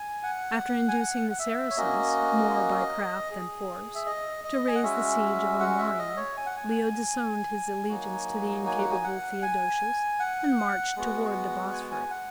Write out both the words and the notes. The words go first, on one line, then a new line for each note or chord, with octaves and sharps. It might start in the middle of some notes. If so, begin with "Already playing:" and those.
After inducing the Saracens, more by craft than force, to raise the siege of Amorium, Leo disowned his allegiance to the incapable Theodosius and marched toward the Bosphorus.
Already playing: G#5
F#5
G#5
F#5
F#5
E5
C#5
A#3 C#4 F#4 D#5
G#4
E5
D#5
D#5
G#5
F#5
G#3 C#4 F#4 E5
F#5
E5
D#5
C#5
G#5
F#5
G#5
F#3 A#3 D#4 F#4
G#5
F#5
G#5
F#5
G#5
F#5
G#3 B3 F#4
G#5
G#5
F#5